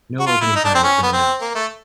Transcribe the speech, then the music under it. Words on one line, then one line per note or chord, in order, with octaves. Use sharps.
No opening time has been announced.
F#4
F4
E4
D#4
D4
C4
C#4
B3
C4
A#3
A3